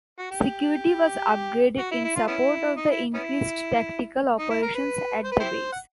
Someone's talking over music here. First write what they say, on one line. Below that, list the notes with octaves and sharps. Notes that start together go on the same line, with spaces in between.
Security was upgraded in support of the increased tactical operations at the base.
F#4
G4
F#4
E4
E4
F4
B3 C#4 E4
D#4
E4
B3 C#4 E4
D#4
E4
A#4
B4
C5
B4
E4 G4 C5
F#5